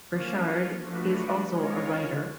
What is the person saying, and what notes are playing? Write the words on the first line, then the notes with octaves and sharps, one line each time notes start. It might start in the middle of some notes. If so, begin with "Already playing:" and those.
Burchard is also a writer.
A#3 C#4 F4
F3 A3 D4 F#4 B4
G#3 C#4 F4 A#4 C#5